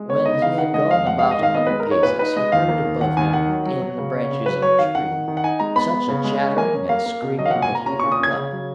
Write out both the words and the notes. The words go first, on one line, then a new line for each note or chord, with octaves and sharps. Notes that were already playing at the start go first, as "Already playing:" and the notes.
When he had gone about a hundred paces, he heard above him, in the branches of a tree, such a chattering and screaming that he looked up.
Already playing: G#3
B3 C#5
D#4 D#5
C#3 F5
D#3 F#5
G#3 D#5
F2 F5
G#3 F#5
G#3 F5
D#5
D#3 F5
B3 D#5
G#3 B4
A#4
D#4 C#5
A#2 B4
D#4 B4
G#3 D#5
D#2 F5
A#3
D#2
D#2 F#5
D#2 G#5
D#3 F#5
F#3
F#3
F#3
C#3
C#4
C#3
F#3 B4
F#3 C#5
D#3 F5
D#3 F#5
D#3
D#3
F#5
D#4 G#5
G#3 A#5
B3 B5
B3
C#3
G#3
C#4
A#3 G#5
C#4
A#3 F5
A#3
B2
F#3 D#5
F5
A#2 F#5
G#5
A#2 A#5
C#4 A#5
A#2 C#6
D#6
C#4 G#6
C#3
F#3